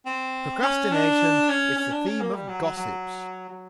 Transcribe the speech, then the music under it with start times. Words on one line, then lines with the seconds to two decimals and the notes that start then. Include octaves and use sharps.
"Procrastination is the theme of gossips."
0.06 C4
0.63 C#4
0.92 D4
1.49 C#4
1.78 C#4
1.92 D4
2.06 C#4
2.20 A#3
2.35 G3
2.48 F#3
2.63 F#3
2.77 F#3
3.49 F#3